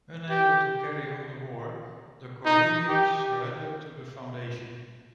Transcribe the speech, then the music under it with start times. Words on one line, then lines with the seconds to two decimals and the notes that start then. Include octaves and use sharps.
Unable to carry on the war, the Korellians surrender to the Foundation.
0.30 G4
2.45 D#4
2.89 G4